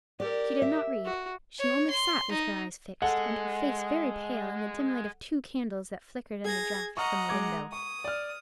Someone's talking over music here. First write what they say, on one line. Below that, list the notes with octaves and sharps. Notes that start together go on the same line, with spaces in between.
She did not read; she only sat with her eyes fixed, and her face very pale, in the dim light of two candles that flickered in the draught from the window.
G4 A#4 D5
E5
F#4
C#5
C6
D#4
G#3 A4 F#5
G#4 G#6 A#6
D#5 F#5 A#5 C#6 D#6 F6
G#3 D6 G#6
C#6 D#6
D5 F6